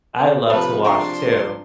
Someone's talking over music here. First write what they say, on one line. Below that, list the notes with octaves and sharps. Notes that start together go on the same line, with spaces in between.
I love to watch too.
C3 F3 A4 B4 C5 F5 A5
D4 G#4 E5 F5 G5 A#5 C6 C#6